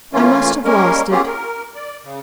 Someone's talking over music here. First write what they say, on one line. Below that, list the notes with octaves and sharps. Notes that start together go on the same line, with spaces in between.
"I must have lost it."
E3 A3 A#3 C#4 F4
G3 G#3 A#3 C#4 A#4
A#3 B3 C#4 F4 G4 G#4
A#4
D5
C#3